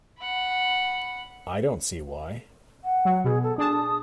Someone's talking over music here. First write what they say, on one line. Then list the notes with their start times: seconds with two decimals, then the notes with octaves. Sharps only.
I don't see why.
0.20 F#5 B5
2.84 F#5
3.05 F#3
3.24 B2 G#4
3.43 A4
3.58 D4 G#4 A5 D#6